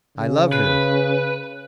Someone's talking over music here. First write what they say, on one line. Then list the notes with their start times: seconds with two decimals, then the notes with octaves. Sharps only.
I love her.
0.18 C#3
0.52 B4